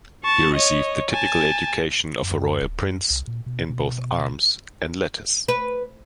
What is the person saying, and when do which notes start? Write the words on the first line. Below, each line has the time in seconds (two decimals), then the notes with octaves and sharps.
He received the typical education of a royal prince in both arms and letters.
0.24 A5 C#6
0.54 C#5 D#5
1.11 G#5 A5
2.23 F#2
2.61 D1
2.81 F#2
3.10 C2
3.27 A#2
3.46 B2
3.70 B2
5.48 B4